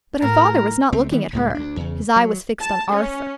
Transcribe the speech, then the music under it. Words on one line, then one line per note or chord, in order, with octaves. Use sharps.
But her father was not looking at her; his eye was fixed on Arthur.
A2 A#4
C#2 A3 C4
D#3 E3 G3 B3
C#2 A2 G#3
D2 D4
E2 C#3
F#3
A5
C#4